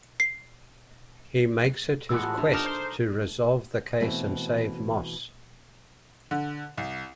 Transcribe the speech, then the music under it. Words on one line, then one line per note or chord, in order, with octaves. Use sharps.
He makes it his quest to resolve the case and save Moss.
C7
A2 E3 G#3 B3 E4 F#4 E6
F4 G4 A5
B2 D4
D4 D#4 A4 A#4 E7
C5
B2 E3 A3 C4
D3
C2